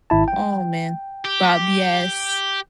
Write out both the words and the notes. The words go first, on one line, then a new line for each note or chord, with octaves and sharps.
Oh man, Bob Yes.
G#1 E4 A5
G5
G4